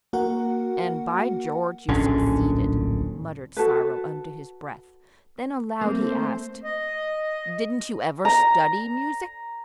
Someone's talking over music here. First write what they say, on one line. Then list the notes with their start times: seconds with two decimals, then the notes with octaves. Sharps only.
"And, by George! you succeeded," muttered Cyril under his breath; then aloud he asked: "Didn't you ever study music?"
0.13 A#3 F#4 A#4 F#5
1.89 D1 A#1 D3 C#4
3.57 F#4 A4 B4
5.81 A3 A#3 C4 C5
6.64 D#5
8.25 A#5